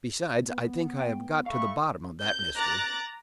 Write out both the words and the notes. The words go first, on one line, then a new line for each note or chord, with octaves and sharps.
"Besides, I think I have got to the bottom of that mystery."
B3
G5
A3 A4 F5 B5 C#6
G6
A#5 D6 F#6 A6